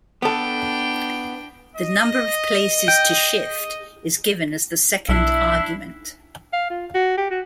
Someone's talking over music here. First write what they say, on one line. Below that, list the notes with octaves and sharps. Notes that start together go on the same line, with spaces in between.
The number of places to shift is given as the second argument.
B3 D4 A4 G5
D#5
G5
B1 D4 E4 E5
F5
F4
F#4
G4
F#4